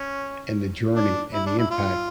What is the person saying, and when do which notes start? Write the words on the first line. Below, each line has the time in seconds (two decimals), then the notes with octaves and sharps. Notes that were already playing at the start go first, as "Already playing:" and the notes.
in the journey and the impact
Already playing: C#4
0.95 D4
1.34 E4
1.46 D4
1.59 E4
1.71 F4